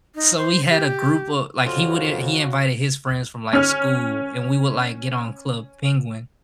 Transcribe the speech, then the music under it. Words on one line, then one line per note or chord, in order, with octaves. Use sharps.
so we had a group of like, he would i he invited his friends from, like, school, and we would, like, get on Club Penguin,
D#4
C5
G4
F2 C#3 F4 F#4
C#4 F6